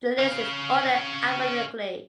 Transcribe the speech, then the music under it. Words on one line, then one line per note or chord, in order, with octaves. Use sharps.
The list is ordered Alphabetically.
C#4 F5